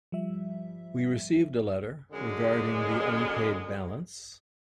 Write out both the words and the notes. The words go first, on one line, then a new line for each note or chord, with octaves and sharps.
We received a letter regarding the unpaid balance.
F3 G3 E5
F#2 D3 G#3